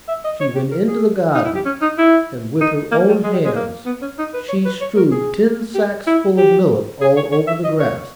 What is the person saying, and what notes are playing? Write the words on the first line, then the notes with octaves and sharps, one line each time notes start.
She went into the garden, and with her own hands she strewed ten sacks full of millet all over the grass.
E5
D#5
C#5
G4
A#4
G#4
D#4
E4
G4
C#4
D#4
E4
D#4
A#3
G3
G#3
G3
G#3
A#3
B3
C#4
D#4
B4
C#5
B4
C#5
A#4
G#4
G4
E4
G4
G#4
C#5
C#5
E5
D#5
C#5